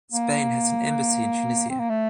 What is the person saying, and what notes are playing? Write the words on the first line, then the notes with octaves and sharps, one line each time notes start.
Spain has an embassy in Tunisia.
A#3
C4
A#3
A3